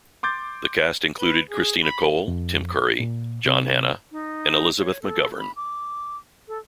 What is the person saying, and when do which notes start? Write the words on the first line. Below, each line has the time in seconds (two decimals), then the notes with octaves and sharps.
The cast included Christina Cole, Tim Curry, John Hannah and Elizabeth McGovern.
0.23 C6 D6 G6 A6
1.19 B4
1.51 G#4
1.85 B5
2.28 F2
3.00 A#2
3.46 C3
4.12 D#4
4.78 C#5
5.02 A4
5.39 B5
5.56 D6
6.48 A4